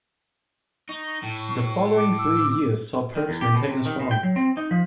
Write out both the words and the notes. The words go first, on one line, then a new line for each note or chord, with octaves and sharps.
The following three years saw Perks maintain his form.
D#4 C#6
A2
D6
E6
D#3
E2
G4
B2
C3
D#3
B2
G5
F#3
C4
D#4
F3